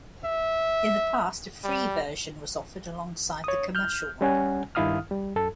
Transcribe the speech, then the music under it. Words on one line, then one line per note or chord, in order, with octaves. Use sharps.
In the past a free version was offered alongside the commercial one.
E5
G3
C#5 D#6
F6 G6
G3 C#4 F#5 G#5
G2 D#3 E4 F5 D#6 F6
G3
F#2 A4